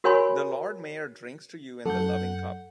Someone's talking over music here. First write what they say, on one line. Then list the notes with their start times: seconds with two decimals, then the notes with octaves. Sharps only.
The Lord Mayor drinks to you in the loving cup.
0.04 F#4 A#4 C#5 G#5 B5 C6
1.86 F#2 A4 F#5 G6